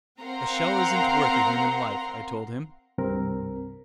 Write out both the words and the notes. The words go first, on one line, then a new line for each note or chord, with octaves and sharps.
"A shell isn't worth a human life!" I told him.
C4 A#4 F5 F#5 A#5 C6
C2 G2 C4 A#4